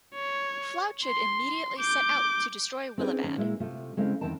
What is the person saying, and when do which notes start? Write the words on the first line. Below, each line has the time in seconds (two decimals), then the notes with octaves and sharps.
Flaochad immediately set out to destroy Willibad.
0.14 C#5
1.05 C6
1.79 D6 G6
2.98 C4 C#4 D#4 F4 G#4 B4
3.23 D#3 C#4
3.37 A#2 G#3 E4 D5 E5
3.60 C3 A3 F4
3.97 C#3 G#3 A3 C4 E4 F5
4.21 E2 D#3 C4 G5 A5